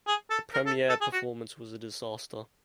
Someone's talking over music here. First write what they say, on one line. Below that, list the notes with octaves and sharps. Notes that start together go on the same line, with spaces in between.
The premiere performance was a disaster.
G#4
A4
A#4
A4
A4
G#4
F#4